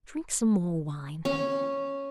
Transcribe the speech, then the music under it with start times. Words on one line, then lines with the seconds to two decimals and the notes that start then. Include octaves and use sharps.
Drink some more wine.
1.25 C#4